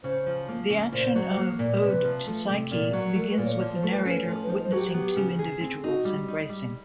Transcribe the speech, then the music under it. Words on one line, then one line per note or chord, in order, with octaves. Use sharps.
The action of "Ode to Psyche" begins with a narrator witnessing two individuals embracing.
C#3 C5
F3
A#3
C#3
A#2 C5
F#3
A#3
A#2
C3 B4
F3
A3
C3
A#2 A#4
F#3
A3 A#4
B4
A#2
C#5
F3
C5
A3
B4
C#4
F3
B4
D#4 C5
C5
F#3 F#4
G4
B3 G4
C#3
G#4
C4
D#4 F#4
G3
D#4
G3